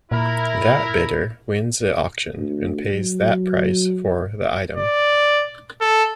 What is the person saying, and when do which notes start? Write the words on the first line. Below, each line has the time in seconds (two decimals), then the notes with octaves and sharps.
That bidder wins the auction and pays that price for the item.
0.11 A#2 E4 A#4
2.37 D2
2.95 F#3
4.77 D5
5.81 A4